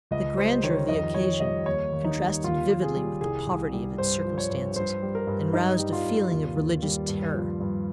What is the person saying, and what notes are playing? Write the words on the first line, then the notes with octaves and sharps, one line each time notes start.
The grandeur of the occasion contrasted vividly with the poverty of its circumstances, and roused a feeling of religious terror.
C#2 D#5
G3 C5
D#3 C#5
F2 D#5
F2 C#5
G3 D#5
D#2 C#5
D#2
D#4
G3
D#2 F4
D#2
G#4
G3
C2 G#4
C2
G3
G2 C5
F3
C#5
G2
G2 C5
G3
A#4
G2
G2 D#4
G3
F4
G2
D#2
D#2
G3
G2
F3
G2